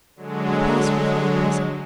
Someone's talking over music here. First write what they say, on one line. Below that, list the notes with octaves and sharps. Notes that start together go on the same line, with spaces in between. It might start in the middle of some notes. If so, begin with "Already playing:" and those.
He passed before the prison.
D3 F#3 G#3